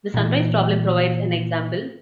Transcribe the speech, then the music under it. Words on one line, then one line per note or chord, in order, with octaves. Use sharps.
The "sunrise problem" provides an example.
A#2 E3